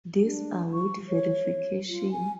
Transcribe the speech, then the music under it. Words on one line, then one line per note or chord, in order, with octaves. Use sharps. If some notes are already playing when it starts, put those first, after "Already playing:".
These await verification.
D4
C#6
C#5
F4
G#5